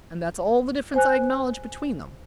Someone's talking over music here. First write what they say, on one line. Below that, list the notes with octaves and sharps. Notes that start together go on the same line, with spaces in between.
And that's all the difference I acknowledge between them.
C5 G#5 F#6